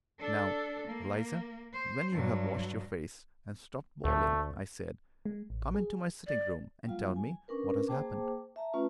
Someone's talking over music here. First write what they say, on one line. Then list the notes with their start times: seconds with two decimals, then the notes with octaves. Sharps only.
"Now, Eliza, when you have washed your face and stopped bawling," I said, "come into my sitting-room and tell me what has happened."
0.19 D4 A4
0.87 A#3
1.73 C5
2.12 G2 F#3
4.05 D2 A3
5.25 G#3
5.50 A1
5.75 G#4
6.27 D5
6.86 F#3 G3 A#3 F4 F5
7.16 G#5
7.48 C#4 D4 A#4 B4
7.88 A#3 G#4 C5 G5 A5 D6
8.56 E5 A5 A#5
8.73 A3 C#4 F4 B4